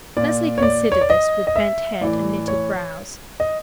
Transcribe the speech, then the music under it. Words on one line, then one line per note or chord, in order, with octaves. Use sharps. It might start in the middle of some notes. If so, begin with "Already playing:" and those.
Leslie considered this with bent head and knitted brows.
A#2 D5
C#5
D5
C#5
D5
D#5
D#5
E5
A2 E3 D5
C#5
D#5